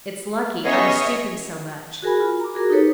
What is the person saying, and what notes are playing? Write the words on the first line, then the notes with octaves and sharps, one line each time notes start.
It's lucky I was stooping so much.
B3 C#4 G#4 C#5 D#5 E5
F#4 G#4 A#4 G#5 B5
F4
A#5 D6
F#4 G#4 A#4
D#4 G4 A4 B4 C#5